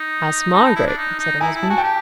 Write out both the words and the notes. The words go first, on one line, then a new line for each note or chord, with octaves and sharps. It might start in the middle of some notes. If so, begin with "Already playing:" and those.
'Ask Margaret,' said her husband.
Already playing: D#4
D#4 A5 B5
D#4
E4
D4
D#4
D#4
E4 G#5 A#5
E4
A5
F#4 G#5
G5 A5
G4